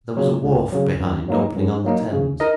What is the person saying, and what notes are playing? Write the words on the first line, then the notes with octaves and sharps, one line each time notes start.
There was a wharf behind, opening on the Thames.
C#3 F#3
C#2
C#3 F#3
F#2
F#3 A#3 D#4
F#2
F#3 A#3 D#4
C#3
D#4 A#4 D#5